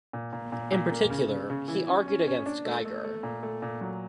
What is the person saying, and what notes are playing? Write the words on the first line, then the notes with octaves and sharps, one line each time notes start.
In particular, he argued against Geiger.
A#2
A#2
A#2
A#2
A#3
C#3
C#3
C#3
E3
C#4
C#4
C#4
D4
A3
A3
A3
A#2
A3
A#2
F#3